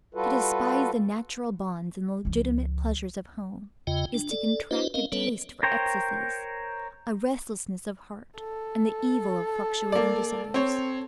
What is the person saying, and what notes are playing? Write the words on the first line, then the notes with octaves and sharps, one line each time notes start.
To despise the natural bonds and legitimate pleasures of home, is to contract a taste for excesses, a restlessness of heart, and the evil of fluctuating desires.
G3 F4 F#4 A4 B4
C#2 F3
E2 C#3 F4 D#5 G5
D4
A4 D5
D4 E4 F#4 B4 C5 D#5
C4 C#4 A#4 D#5 F5
G3 B3 C#4 A4 B4 C#5
A#4 C5 C#5 G5 A#5
A4
A#3 D5
C4 C#5